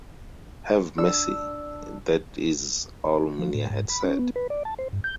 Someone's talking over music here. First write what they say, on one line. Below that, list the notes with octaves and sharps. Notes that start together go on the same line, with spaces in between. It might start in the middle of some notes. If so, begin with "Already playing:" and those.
"Have mercy" that is all Munier had said.
D4 E6
F3
A2
G#2
B5
C#4
B3
B4
D5
A5
C5
G2
G6